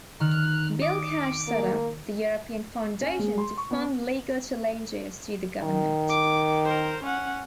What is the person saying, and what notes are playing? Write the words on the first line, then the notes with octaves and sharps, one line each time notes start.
Bill Cash set-up the European Foundation to fund legal challenges to the government.
D#3 F6 F#6
D#5 D6
A#3
C#4
G#3
C6
C#6
B3
D#3
D6
A#4 C5
C#4 F#5